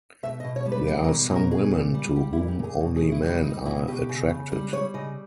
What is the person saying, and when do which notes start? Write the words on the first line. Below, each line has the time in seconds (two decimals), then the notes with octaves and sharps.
There are some women to whom only men are attracted.
0.23 B2 E5
0.40 D#5
0.44 B2
0.56 C#5
0.66 G3
0.72 B4
0.87 G3
1.04 A#4
1.09 B2
1.30 B2
1.36 A#4
1.51 A#2 G#4
1.73 A#2
1.94 G3
2.16 G3 G4
2.33 E4
2.37 A#2
2.48 G4
2.59 A#2 G#4
2.80 B2
2.97 G#4
3.02 B2
3.12 E4
3.23 G3 E4
3.44 G3 D#4
3.66 B2 E4
3.88 B2 G4
4.09 C#3
4.30 C#3
4.52 G3
4.73 G3 C#5
4.94 C#3 D#5